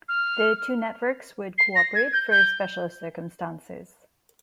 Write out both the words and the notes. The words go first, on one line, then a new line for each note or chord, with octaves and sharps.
The two networks would cooperate for special circumstances.
F6
C7
A#6
G#6
G6
G6